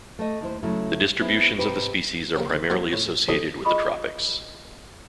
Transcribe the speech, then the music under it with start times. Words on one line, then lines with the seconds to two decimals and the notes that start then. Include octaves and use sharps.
The distributions of the species are primarily associated with the tropics.
0.19 A3 D#5
0.41 D#2 E4 C5
0.63 C#3 F#3 A3 E4
1.21 B3 C4 E4 G#4
1.59 G#2 C3 C4 G4 B4
2.36 C#3 F3 G3 A#3
2.50 D#3 C4
2.70 D#2 F#3 D#4 C5 C#6 D6
2.93 A2
3.29 B1 C3 A4 D5 D#5
3.65 F4 G#4 D#5 B5 C#6 D#6